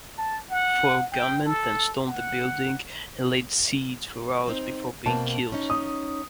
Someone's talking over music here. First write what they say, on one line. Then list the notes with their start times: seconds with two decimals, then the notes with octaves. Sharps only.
Four gunmen then stormed the building and laid siege for hours before being killed.
0.18 A5
0.51 F#5
1.12 G5
1.45 A4
2.07 F#5
4.48 C4 D#4
5.06 B2 A#3 C4 A5
5.52 C#4 D#4
5.70 D#6